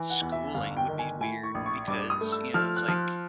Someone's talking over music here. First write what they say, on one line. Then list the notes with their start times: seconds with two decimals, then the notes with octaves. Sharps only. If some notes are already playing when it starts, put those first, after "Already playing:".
Schooling would be weird because, you know, it's like
Already playing: E3
0.10 F#5
0.21 E2
0.32 E5
0.54 G1 F5
0.77 G5
0.88 D#3
0.99 G#5
1.21 A2 G#5
1.43 C#6
1.55 A#1
1.66 C#6
1.88 G2 D6
2.10 D#6
2.21 A3
2.32 E6
2.54 F3 F6
2.77 F#6
2.88 F3